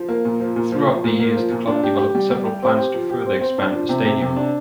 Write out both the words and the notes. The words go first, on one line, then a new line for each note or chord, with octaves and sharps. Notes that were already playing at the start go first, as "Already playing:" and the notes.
Throughout the years, the club developed several plans to further expand the stadium.
Already playing: F3
A#3
A#2
F3
A#2
F3
F3
A#2
A#3
F3
A#2
D4
G4
G4
G3
G3
G4
C4
G4
F3
G4
C4
C4
D4
F3
C3
C3
C3
D4